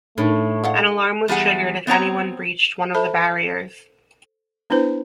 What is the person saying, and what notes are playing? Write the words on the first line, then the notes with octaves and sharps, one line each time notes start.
An alarm was triggered if anyone breached one of the barriers.
A2 A3 D4 D#4 A#4
G#3 F4 F#5
E2 G3 G#4 F#5
B3 C4 C#5 A#5
A4 C5 E5 A5 B5
B3 D4 E4 B4 C5